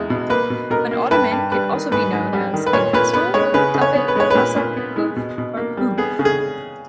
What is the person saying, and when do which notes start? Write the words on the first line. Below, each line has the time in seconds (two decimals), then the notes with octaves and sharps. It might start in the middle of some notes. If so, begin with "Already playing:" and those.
An ottoman can also be known as a "footstool", "tuffet", "hassock", "pouf" or "pouffe".
Already playing: E2 G#3
0.10 B2
0.30 A#3 B4
0.50 B2
0.70 B2 A#4
0.91 A#3
1.11 G2 B4
1.31 G2
1.52 G3 B4
1.72 D#3
1.92 G#2 B4
2.13 G#2
2.33 G3
2.54 D#3
2.66 B4
2.73 A#2 C#5
2.93 A#2 B4
3.13 B3 B4
3.34 G#3 C#5
3.54 C#3 B4
3.74 C#3
3.81 C#5
3.95 B3
4.08 B4
4.16 G#3 C#5
4.30 A#2 B4
4.56 A#2
4.77 B3
4.96 G#3
5.16 B2
5.38 B2
5.57 A#3
5.77 G3
5.98 B3 G#4
6.19 C#3
6.25 G#4